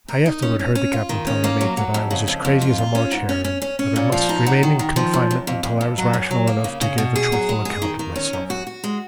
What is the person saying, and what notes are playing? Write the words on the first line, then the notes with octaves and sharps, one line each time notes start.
I afterward heard the captain tell the mate that I was as crazy as a March hare, and that I must remain in confinement until I was rational enough to give a truthful account of myself.
A#4
D#4
C#4
C#4
C#4
F4
D#3
C#4
A#3
F#3
F#3
F2
C#3
F2
F2
F4
F4
C#4
G#2
C#4
C#4
C#4
C#4
A#2
F3
D#4
F#3
D#3
D#3
F3
F#2
F#2
F2
F2
F2
F#3
F#2
F#3
A#3
C#3
C#3
B2
G#4
F#3
G#3
G#4
D#3
D#3
C#4
F#2
F#4
F#4
G#3